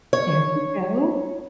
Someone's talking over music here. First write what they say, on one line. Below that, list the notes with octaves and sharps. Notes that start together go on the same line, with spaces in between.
There you go.
C#5